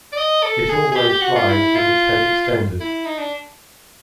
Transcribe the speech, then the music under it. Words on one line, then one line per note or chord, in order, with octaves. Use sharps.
It always flies with its head extended.
D5
D#5
A4
G#4
G#4
G4
G4
F#4
F4
E4
F4
E4
D#4
D4